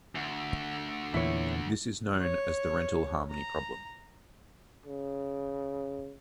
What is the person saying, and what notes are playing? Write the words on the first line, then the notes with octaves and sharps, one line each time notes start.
This is known as the Rental Harmony problem.
D2
E2 A#2 E3 E4 C#5
C#5
A#5
C#3